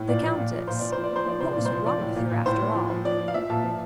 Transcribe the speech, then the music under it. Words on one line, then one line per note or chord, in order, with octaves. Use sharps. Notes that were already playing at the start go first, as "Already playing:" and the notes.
The Countess--what was wrong with her, after all?
Already playing: A2
A#2 D5
F3
A#2
F3
A#2 C5
F3 D5
C5
F3
D5
F3 C5
F3 D5
C3 C5
A#2 D5
C5
F3
F3 D5
A2
A#2
A#2
A2 C5
A2
F3
F3
F3 D5
F3
F5
F3 E5
A#2 A5
F3